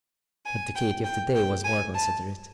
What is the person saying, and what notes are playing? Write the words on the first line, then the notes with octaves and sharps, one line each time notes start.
But the Katy of to-day was more considerate.
G#5
G5
G5
G5
G#5
A5